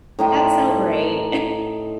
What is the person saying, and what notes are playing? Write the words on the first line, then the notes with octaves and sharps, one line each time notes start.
that's so great.
A2 D#4 G5 C6